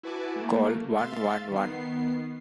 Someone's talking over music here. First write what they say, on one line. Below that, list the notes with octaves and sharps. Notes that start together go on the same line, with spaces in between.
Call one one one.
E4 F#4 B4 G#5 A5 D6
A3 A#3
E5 F5 C6 A6
D#3 B3 C7